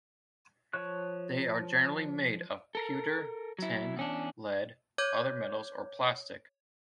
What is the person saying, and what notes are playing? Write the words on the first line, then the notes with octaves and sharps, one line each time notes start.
They are generally made of pewter, tin, lead, other metals or plastic.
F3 C#5 C#6 F#6
A4 A#4
F#3 E4
E2 C#4 D4
C#5 D6 G6 G#6